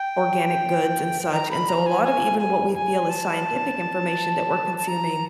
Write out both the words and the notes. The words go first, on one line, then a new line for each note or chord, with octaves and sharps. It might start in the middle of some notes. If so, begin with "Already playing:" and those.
organic goods and such, and so a lot of even what we feel is scientific information that we're consuming
Already playing: G5
A#5
B5
A#5
G#5
G#5
G#5
G#5
A5
A5
A#5